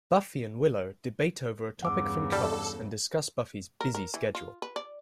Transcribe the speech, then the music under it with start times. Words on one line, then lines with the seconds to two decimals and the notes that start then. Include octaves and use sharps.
Buffy and Willow debate over a topic from class and discuss Buffy's busy schedule.
1.83 E2 G2 C#3 F#5 D6 E6
2.32 G3 A4
3.81 A#4
3.95 A#4
4.14 E3
4.35 F4
4.62 B4
4.76 D5